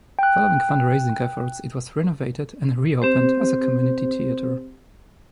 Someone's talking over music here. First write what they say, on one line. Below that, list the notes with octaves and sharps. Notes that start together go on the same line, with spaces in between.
Following fundraising efforts, it was renovated and reopened as a community theatre.
G5 F#6
C4 G4 C5